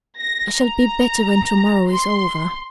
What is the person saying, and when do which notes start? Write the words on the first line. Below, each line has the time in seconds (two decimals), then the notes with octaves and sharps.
'I shall be better when to-morrow is over.'
0.18 A#6
0.56 A#5
1.90 C6